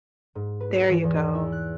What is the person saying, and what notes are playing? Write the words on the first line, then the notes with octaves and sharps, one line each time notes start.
There you go.
G#2
B4
E3
E2
E4
F#6